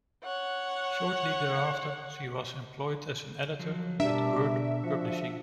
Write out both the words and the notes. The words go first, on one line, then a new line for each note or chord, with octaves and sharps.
Shortly thereafter she was employed as an editor with Word Publishing.
C#5 F#5
F3 F#3
B2 G3 D4 A#4 E5
F3 F#4